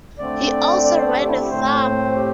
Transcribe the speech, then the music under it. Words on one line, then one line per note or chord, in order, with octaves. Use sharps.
He also ran a farm.
D3 A3 C4 D5
D5
C5
A4
G4
E4
G4
A2 A3 C4 C5
G4